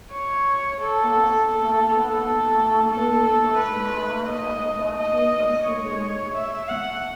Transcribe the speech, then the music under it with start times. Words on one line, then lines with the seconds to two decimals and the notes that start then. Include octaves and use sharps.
Thus Rajah Calambu was an ally of the Datu of Cebu.
0.12 C#5
0.81 A4
1.50 A4
2.19 A4
2.89 A4
3.23 A4
3.58 B4
4.27 D#5
4.96 D#5
5.65 C#5
6.34 E5
6.69 F#5